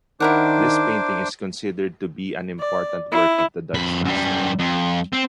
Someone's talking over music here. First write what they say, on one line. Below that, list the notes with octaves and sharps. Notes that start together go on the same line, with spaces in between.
This painting is considered to be an important work of the Dutch master.
D#3 D4 E4 A#4 C5 F#5 D6
D5
E4
F2 B5
F#2 G3
F2
C4